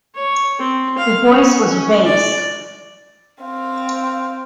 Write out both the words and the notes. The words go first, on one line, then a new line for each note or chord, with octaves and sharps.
The voice was bass.
C#5
C4
F5
C#4
C#4
D5
C4 F5